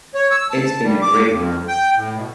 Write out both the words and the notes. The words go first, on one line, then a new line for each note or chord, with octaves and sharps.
It's been a great run.
C#5
E6
A5
G3
D6
F2
G5
A2
B2